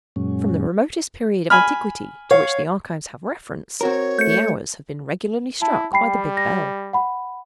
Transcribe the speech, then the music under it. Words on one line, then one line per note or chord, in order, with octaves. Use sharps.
From the remotest period of antiquity to which the archives have reference, the hours have been regularly struck by the big bell.
F#2 A#2 F#3 G#3 C#4
G#5 B5 F6
C#5 F5
C4 F#4 A#4 C#5
A3 G6 C#7
E4 A5
G3 G5 B5 C7
A#6
F#5 B5